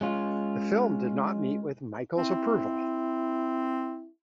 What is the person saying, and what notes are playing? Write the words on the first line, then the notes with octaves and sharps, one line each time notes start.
The film did not meet with Mykle's approval.
G#3 C#4 F4
C4 E4